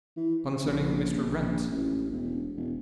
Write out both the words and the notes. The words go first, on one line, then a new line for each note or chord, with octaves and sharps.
"Concerning Mr. Wrent."
E3
C3
A#1
A#1
A1
E1
E1